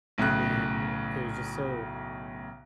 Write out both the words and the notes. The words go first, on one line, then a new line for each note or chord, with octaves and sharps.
and it was just so
B1 A2 C#3 F#6